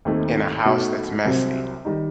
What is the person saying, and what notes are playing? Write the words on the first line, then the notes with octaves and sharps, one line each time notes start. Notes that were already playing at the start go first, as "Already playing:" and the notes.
in a house that's messy,
D#2 D#3 A3 C4 D#4
B2 A3 D#4 F#4
C2 C3 F#3 C4
D#3 G3 D#4